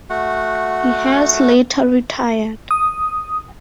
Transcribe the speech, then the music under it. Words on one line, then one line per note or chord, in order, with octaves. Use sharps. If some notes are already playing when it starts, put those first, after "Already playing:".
He has later retired.
A3 F#4 F#5
D#6